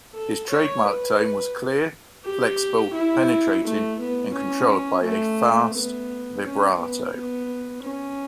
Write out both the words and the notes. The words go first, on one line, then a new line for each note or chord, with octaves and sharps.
His trademark tone was clear, flexible, penetrating, and controlled by a fast vibrato.
A4
C#5
B4
G4
E4
A3
B3
C#4
A3
B3
C#4
B3
B3
C#4